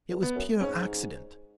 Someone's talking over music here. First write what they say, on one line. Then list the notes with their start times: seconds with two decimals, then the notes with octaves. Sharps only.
It was pure accident.
0.10 E2
0.23 B3
0.36 F#2
0.61 G#2 C#4